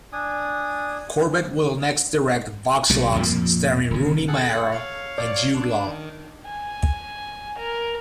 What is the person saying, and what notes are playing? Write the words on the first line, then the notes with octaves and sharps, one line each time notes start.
Corbet will next direct "Vox Lux" starring Rooney Mara and Jude Law.
D4 G#5 D#6
B1 A#2 G3
F2 A#2 F3 A#3
D#1 C#3
G#4 A4 F#5
C#5 F5
D5
D4
D#3
G#5
A#4